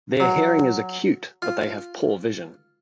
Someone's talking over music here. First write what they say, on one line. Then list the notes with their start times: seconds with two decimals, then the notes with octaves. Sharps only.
Their hearing is acute but they have poor vision.
0.20 F#3
1.42 F4